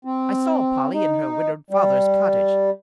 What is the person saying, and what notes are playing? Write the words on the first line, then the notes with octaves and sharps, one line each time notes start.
I saw Polly in her widowed father's cottage.
C4
D#4
G3